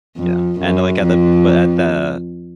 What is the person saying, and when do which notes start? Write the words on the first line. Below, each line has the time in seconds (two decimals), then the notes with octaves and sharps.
Yeah, and, like, at the but at the
0.17 F2
0.59 F#2
1.01 F2